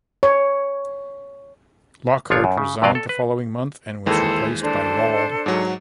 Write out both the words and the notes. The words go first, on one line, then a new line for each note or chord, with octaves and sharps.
Lockhart resigned the following month and was replaced by Rawle.
C#5
G1 F3 D4 F4 C#5
F#2
C#3
G2 C3 F#3 D5 D#5 F5
A4
B4
D#2 E3 G#3 E4 A4 C5
D4 A4 C5
G#2 F#3